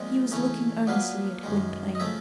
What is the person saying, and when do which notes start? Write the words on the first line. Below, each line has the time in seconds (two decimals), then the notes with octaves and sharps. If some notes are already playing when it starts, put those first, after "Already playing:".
He was looking earnestly at Gwynplaine.
Already playing: A#2 F3 G#3 C4 D#5
0.32 C#3 E3 A3 C#4
0.87 A#2 F#3 B3 D4 F5
1.43 F#2 D#3 G#3
1.95 D#5
2.00 C#3 F3 A3 E5